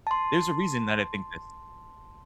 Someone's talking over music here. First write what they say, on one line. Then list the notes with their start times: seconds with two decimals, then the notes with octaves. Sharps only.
There's a reason that I think this.
0.07 A5 C6